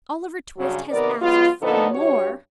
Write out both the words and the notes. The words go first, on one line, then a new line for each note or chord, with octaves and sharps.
Oliver Twist has asked for more!'
G2 C#3 F#3
C3 D#3 B3 A#4 D5
F#3 G#3 B3 F4
A#2 D3 F3 B3 D#4 A4
G2 F#4 G4 C#5